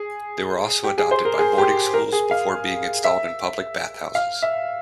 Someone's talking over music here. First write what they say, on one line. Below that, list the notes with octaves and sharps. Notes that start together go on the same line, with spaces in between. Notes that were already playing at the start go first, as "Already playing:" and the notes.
They were also adopted by boarding schools, before being installed in public bathhouses.
Already playing: G#4
G4
G#4
C5
A#4
G#4
G4
A#4
G#4
F5
E5
F5
E5